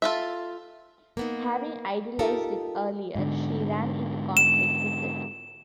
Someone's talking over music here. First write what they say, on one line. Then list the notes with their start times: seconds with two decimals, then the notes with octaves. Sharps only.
Having idealized it earlier, she ran into conflict with it.
0.02 F4 A4 E5
1.17 A#3 B3 D#4
2.19 D#4 F4 G4 A4 A#4
3.15 G#2 D3
4.37 E7